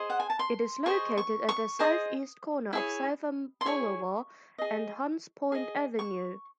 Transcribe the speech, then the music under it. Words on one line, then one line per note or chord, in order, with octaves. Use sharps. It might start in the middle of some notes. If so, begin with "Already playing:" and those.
It is located at the southeast corner of Southern Boulevard and Hunts Point Avenue.
Already playing: G#4 C5 D#5
F#5
G#5
A5
C6
G#4 C5 D#5 C#6
C#6
C#6
G#4 C5 D#5 D#6
E4 G#4 C#5
C6
E4 G#4 C#5 C#6
G#4 D#5
G#4 D#5
C#6